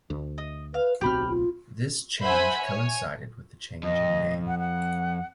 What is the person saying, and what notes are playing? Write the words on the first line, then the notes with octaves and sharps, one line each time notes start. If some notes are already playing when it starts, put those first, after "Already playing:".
This change coincided with the change in name.
D2
D#5
B4 F5
D1 B1 C4 F#4 G4 B5 F6
F4
C5 E5 F#5 G#5 B5
C#5 G#5
F2 D#5
F#5
F#5